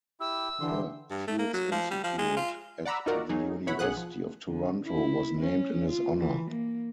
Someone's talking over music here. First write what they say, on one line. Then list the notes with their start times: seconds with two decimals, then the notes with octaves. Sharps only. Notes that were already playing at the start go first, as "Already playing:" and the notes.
The Fields Institute at the University of Toronto was named in his honour.
0.20 E4 G4 E6
0.61 D3 E3 G4 C6
1.11 G2
1.27 A3
1.38 A#3
1.53 F#3
1.71 F3
1.90 G3
2.04 F3
2.18 G#3
2.36 F4
2.85 D5 F#5 A#5 B5 E6
3.06 D#4 F4 F#4 A#4 D5 F#5
3.29 F#3 D#4 G#4
3.67 B2 E4 C#5 F#5 B5
3.79 B1 G#4 F#5 D#6 F#6
3.97 F3
4.48 D3
4.84 E4
5.40 C#4
5.89 F4
6.18 E3
6.50 A#3